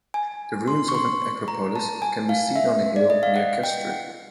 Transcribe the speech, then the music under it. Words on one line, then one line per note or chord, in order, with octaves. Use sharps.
The ruins of an acropolis can be seen on a hill near Kastri.
G#5
C6
C#6
C6
A#5
A5
G#5
F5
E5
D5
D#5
F5
F#5
G5
F#5